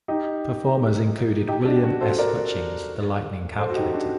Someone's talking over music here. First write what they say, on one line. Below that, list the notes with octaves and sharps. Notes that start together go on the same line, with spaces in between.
Performers included William S. Hutchings, the lightning calculator.
D#4 G4
D#4 G4
D4 F#4
D4 F#4
A4 C5
A#4 D5
A4 C5
F#4
D#4 G4
D4 F#4